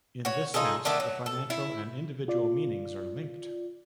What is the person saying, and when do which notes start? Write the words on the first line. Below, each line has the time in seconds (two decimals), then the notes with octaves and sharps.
In this sense the financial and individual meanings are linked.
0.25 F#4 C#5
0.54 D#4 F4 G#4 A4
0.85 D3 D#3 A3 D4
1.00 F#3
1.26 A4
1.50 E4
2.28 F4 D5